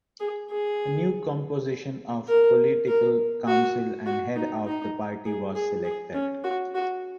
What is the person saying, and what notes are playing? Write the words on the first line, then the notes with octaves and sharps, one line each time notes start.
The new composition of the Political Council and Head of the Party was selected.
G#4
G#4
A#4
A#4
F#4
F#4
D#4
D#4
G#4
G#4
G#4
C#4
F#4
F#4